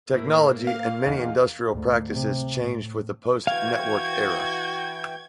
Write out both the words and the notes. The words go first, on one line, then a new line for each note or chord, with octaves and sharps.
Technology and many industrial practices changed with the post-network era.
A2 A#3 E4
F5
E2 D#4 G#4
D2 G#2
C3
A2
E3 F#4 F5 G5 G#6